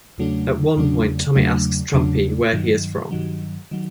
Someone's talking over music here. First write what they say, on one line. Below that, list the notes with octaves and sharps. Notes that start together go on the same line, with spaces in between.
At one point, Tommy asks Trumpy where he is from.
E2 C#3 F#3 A3 D4
E2 C#3 F#3 A3 D4
E2 C#3 F#3 A3 D4
E2 C#3 F#3 A3 D4
G2 D#3 F#3
G2 D#3 F#3
D#3 F#3